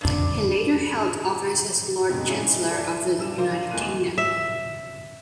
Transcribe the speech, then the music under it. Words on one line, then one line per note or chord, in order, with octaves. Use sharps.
He later held office as Lord Chancellor of the United Kingdom.
G2 D4
F2 G#2 B2 D3
G3 G#3 C#4 D#4 E4 G#4
A4 D5 E5
G2 G3 E6 E7
D4 A#4 C5 F5 D6
G#1 E2 A3 A#3 F#6 D#7
E5